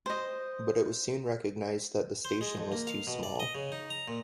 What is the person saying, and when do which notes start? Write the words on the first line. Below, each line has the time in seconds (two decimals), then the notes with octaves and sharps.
But it was soon recognized that the station was too small.
0.06 C5 D#5
2.25 C5
2.41 G#3
2.58 F2
2.72 A#3
2.87 F5
3.07 B2
3.23 D5
3.40 D#5
3.55 C#3
3.72 D#4
3.90 A#5
4.08 A#2